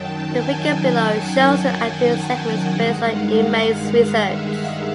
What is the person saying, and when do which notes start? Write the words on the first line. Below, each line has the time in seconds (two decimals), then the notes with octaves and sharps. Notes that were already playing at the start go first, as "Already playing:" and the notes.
The figure below shows the ideal segments based on Imai's research.
Already playing: F#2 D#3 F#3 G5 A5
0.32 G#5
1.12 F#5
2.69 G2 D#3 G#3 F#5
3.09 F5
4.27 E5